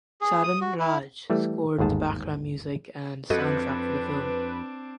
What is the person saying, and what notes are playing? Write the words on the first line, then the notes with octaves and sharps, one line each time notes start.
Charan Raj scored the background music and soundtrack for the film.
G#4
D#6
F#4
E4
E3 G3 A3
G1 D#2 G#2 G#4 A5
F2 C4 D4 F#4 A4 B4 D#5